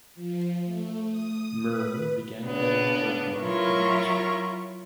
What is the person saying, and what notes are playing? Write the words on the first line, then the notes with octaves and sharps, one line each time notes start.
Muir began playing rugby in Oxford.
F3
A3
D#6
B4
C#3 B3 D4
F#3 E4 F4 A#4 C#6